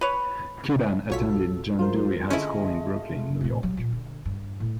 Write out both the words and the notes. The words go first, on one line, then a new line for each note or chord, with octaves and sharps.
Kidan attended John Dewey High School in Brooklyn, New York.
B4 C#5
B1 F4 F#4 A4 C#5 B6
F#3 G#3 F4 A#4 C5
D3 G#3 A3 C#4 E4 D#5
A1 A#2
F#3 G3
A#2
D3
G2
A2